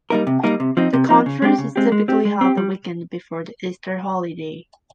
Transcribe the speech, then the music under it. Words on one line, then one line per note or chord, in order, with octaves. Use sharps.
The conference is typically held the weekend before the Easter holiday.
G3 A#3 D#4 A#4
C3
G3 A#3 D#4 A#4
C3
F3 C4 D#4
C3
F3 C4 D#4
C#3
G#3 C4 G4
C#3
G#3 C4 G4
G#3
C4 G4
G#3
C4 G4
G3